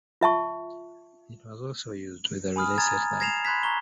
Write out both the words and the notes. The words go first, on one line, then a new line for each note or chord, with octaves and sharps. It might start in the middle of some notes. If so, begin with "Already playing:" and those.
It was also used with the Relay satellite.
F4 E5 A5 C#6
G#5 B5 D#6 F6
G#5 A#5 D#6 G#6 A6
G#6 A#6 C7 E7 F7
B5 C6 F#6 G#6 B6
A#5 C#6 G7